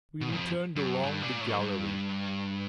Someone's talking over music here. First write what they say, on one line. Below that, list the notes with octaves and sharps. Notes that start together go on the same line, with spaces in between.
We returned along the gallery.
B2
F2
F#2
G2
A#2
A2
F#2
G2